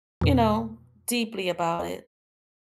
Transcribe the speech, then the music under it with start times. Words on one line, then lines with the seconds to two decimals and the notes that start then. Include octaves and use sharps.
you know, deeply about it.
0.21 F2 B2